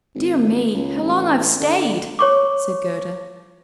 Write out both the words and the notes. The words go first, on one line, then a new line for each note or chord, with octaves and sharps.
"Dear me, how long I have staid!" said Gerda.
G#1
C#2
A1
D3
C#5 C#6 D6